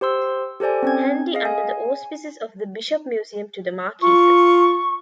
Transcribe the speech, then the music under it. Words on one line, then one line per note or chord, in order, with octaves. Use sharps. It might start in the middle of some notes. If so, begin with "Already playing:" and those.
Handy under the auspices of the Bishop Museum to the Marquesas.
G4 C5 C6 E6
G4 A4 C5 D5 G#5
C4 C#4 G#6
G#4 D#5 F5
G#5
F4 C#6